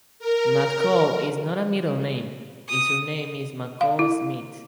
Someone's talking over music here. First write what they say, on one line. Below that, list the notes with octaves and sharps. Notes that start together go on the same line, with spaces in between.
"McCall" is not a middle name: his surname is "McCall Smith".
A#4
D#6
F5
E4